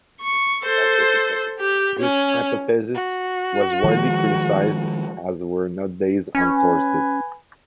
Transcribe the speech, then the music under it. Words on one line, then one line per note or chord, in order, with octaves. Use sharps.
This hypothesis was widely criticized as were not based on sources.
C#6
A4 C5
G4
C#4
F#4
D#3 F3 G#3
C#4 B4 G#5